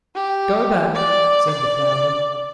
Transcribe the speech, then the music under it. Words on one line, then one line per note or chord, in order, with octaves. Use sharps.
"Go back," said the flounder.
G4
D5
D5